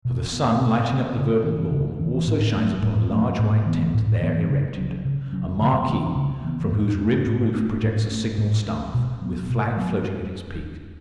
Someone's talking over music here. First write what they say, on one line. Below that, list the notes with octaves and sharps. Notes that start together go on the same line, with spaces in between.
For the sun, lighting up the verdant lawn, also shines upon a large white tent there erected--a marquee--from whose ribbed roof projects a signal staff, with flag floating at its peak.
B2
B3
B2
B3
C#3
E3 C#4
C#3
E3 C#4
A2
F#3 A3 C#4
A2
F#3 A3 C#4
A2
E3 B3
A2
E3 B3
C#3
F#3 C#4
C#3
F#3 C#4
C#3
E3 B3
C#3
E3 B3
A2
A3 C#4
A2
A3 C#4
A2
A3 C#4
A2
A3 C#4
B2
F#3 B3
B2
F#3 B3